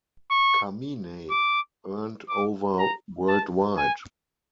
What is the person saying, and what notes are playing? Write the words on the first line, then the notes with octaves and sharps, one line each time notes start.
"Kaminey" earned over worldwide.
C#6
D6
D6
A#5
A5
G#5